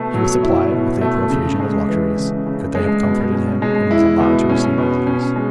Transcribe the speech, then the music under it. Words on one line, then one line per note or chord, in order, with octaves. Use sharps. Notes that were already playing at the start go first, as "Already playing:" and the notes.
He was supplied with a profusion of luxuries, could they have comforted him; and was allowed to receive visitors.
Already playing: B2 A3
F#3
E4
B2
A3
C#3
G#3
E3
C#3
C#3
G#3
B2
C#4
G#3
E4
B2
C#4
B2
C#4
G#3